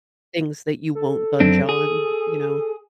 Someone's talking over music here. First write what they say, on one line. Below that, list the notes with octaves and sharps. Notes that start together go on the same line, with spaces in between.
things that you won't budge on, you know?
A4
F#2 C4 D4
G#4